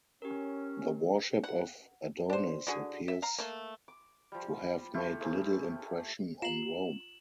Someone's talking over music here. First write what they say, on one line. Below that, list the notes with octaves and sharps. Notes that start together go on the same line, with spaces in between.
The worship of Adonis appears to have made little impression on Rome.
C#4 G4 A#4
F#5
D4 C5
D3 F#4 G#4
E5
F5 A#5
A3 A#3
D6
F3 G3
A3 E4 F4 G4
A3 G4 G#4 C5
F4 A#5 C7 E7 F#7